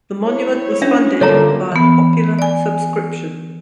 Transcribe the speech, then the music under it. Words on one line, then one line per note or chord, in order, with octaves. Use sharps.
The monument was funded via popular subscription.
E4 C#5
C#4 D4 E5
D3 G3 A#3 F4 A4 C#5 E5 A#5
E3 B3
D5 G#5